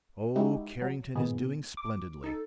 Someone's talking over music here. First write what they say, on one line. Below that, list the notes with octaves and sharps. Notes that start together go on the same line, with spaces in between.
Oh, Carrington is doing splendidly!
G#3 D#4 E4 F#4 G4
F#3
A#2 D#3 F3 B3 G#4
D6
D#4 A4